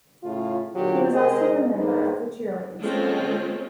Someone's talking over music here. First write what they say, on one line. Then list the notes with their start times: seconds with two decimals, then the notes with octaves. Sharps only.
He was also a member of the cheerleading squad.
0.24 A2 C#3 A3 E4 F4
0.75 A#2 D3 F#3 F4 G4
1.14 C3 G#3 G#4 A#4 C5 D#5
1.76 G2 A#3 D#4 G#4 B4 C5
2.82 G#3 A#3 C4 C#4 F4 A4